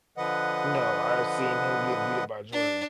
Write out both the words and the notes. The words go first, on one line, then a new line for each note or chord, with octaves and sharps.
No, I've seen him get beat up by Jordan.
D3 F3 B4 D#5 F#5
D4